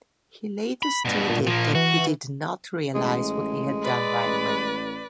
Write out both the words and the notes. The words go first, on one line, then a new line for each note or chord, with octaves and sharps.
He later stated that he did not realize what he had done right away.
B5
G2 B2
A#2
F3 A#3
E3 F#4
A1 G#3
B4 D5
A1